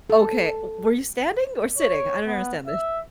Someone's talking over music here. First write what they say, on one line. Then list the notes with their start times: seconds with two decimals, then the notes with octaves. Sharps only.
okay, w were you standing or sitting? I don't understand this.
0.10 A4
1.78 C#5
2.26 B3
2.67 E5